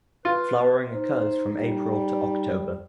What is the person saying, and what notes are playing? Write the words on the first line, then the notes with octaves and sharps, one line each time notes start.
Flowering occurs from April to October.
F4 B4
D#4 C5
G3